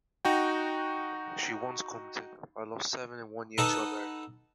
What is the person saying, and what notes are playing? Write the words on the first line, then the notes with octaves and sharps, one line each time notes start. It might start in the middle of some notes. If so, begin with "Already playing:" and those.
She once commented, I lost seven in one year to America.
D#4 F#4 G5
D#4 A4 B4 D#5 F#5 A5